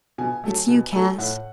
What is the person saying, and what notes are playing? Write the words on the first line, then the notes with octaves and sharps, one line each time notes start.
Hit's you, Cass.
B2 G#5
F#3 A3
B2
F#3 A3
A2 F#5